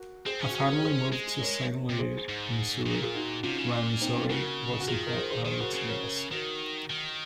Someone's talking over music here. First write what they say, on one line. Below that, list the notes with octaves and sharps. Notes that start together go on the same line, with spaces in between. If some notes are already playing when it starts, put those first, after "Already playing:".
Her family moved to Saint Louis, Missouri when Zoe was in her early teens.
Already playing: F#4 A#4
C4 G#4 C5
C#4
F#4
C#4
G#4
A#4
G#4 C5
G#3
A#4 C#5
C3
G#4 C5
G#2
A#2 G#4
A#4
F4 G#4
D#4 F#4
C3 C#4 F4
C#3
A#2
C4 D#4
A#3 C#4
C#3 F#4 A#4
F#4
D#3 F4 G#4
A#4
G#4 C5
G#4 C5
D#3 G#4 C5
C#3 F#4 A#4
C#3
A#4 C#5
A#4 C#5
D#3 F#4 A#4
D#3